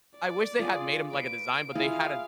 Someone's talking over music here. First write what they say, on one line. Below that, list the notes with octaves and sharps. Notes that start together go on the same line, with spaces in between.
I wish they had made 'em like a design, but they had a
D5
F4 G#4
B4 D7
E4 F4 G#4 F5